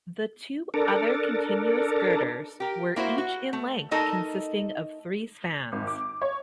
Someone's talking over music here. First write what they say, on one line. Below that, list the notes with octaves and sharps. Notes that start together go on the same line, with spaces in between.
The two other continuous girders were each in length, consisting of three spans.
D4 A4 A#4
G4 A#4
A#3 E4 F#4 C5
F#4
A3
A3 D#4 A4 A#4 D#5
G#1
D6
C#5